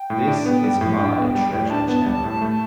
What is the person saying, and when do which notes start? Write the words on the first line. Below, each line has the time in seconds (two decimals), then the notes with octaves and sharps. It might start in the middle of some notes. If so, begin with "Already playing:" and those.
This is MY treasure-chamber.
Already playing: G5
0.10 A2
0.28 D4
0.46 B3
0.63 G3
0.81 A2
0.99 D4
1.17 B3
1.35 G3
1.52 A2
1.70 D4 A5
1.88 B3
2.06 G3
2.24 A2
2.42 A3